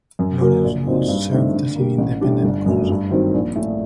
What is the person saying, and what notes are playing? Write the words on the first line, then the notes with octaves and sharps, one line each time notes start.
Lawrence Walsh served as in independent counsel.
F#2
F#3 A#3 F#4 A#4
A#1
A#2 F#3 C4 D#4
G2
D3 A3 C4 D#4
D3
G3 A#3
A1
A2 G3 D4
G1
F#2 F#3 A3
G2
D#3 F#3 C4
A#1
A2 A3